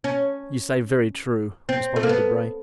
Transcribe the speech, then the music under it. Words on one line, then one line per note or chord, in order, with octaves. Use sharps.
"You say very true," responded Debray.
C#4
C4
A3
A#3
B3